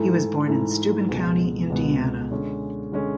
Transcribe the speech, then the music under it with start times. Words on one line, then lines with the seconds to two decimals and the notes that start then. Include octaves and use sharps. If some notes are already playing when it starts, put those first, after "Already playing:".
He was born in Steuben County, Indiana.
Already playing: G#2 E3 A3 E4 A4
0.48 G#2 E3 A3 E4 A4
1.08 C#2 B2 G#3 B3
1.70 C#2 B2 G#3 B3
2.31 D3 G#3 C#4
2.92 D3 G#3 C#4